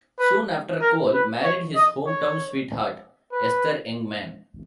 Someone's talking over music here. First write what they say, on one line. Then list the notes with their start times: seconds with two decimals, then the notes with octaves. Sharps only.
Soon after Cole married his hometown sweetheart, Esther Engman.
0.19 B4
0.81 A#4
1.13 B4
1.44 C#5
1.75 D#5
2.06 C#5
3.31 B4